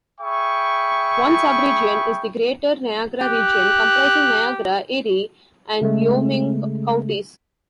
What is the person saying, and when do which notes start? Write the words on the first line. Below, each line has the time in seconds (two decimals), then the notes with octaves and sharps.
One "sub-region" is the Greater Niagara Region, comprising Niagara, Erie and Wyoming counties.
0.20 G#4 E5 G5 B5 C#6
3.22 G4 F#6
5.82 C#3 G#3 A3